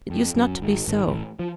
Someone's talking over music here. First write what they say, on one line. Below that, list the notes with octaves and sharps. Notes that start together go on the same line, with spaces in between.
It used not to be so.
F2
F#2
G#1 G#2
G#1 G#2
A1 A2
F3